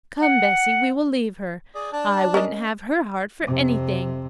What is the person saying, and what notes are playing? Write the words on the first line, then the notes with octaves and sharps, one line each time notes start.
Come, Bessie, we will leave her: I wouldn't have her heart for anything.
F#5
G#4 D5
D4 D5 A5
C#4 A#4 D#5
F2 C3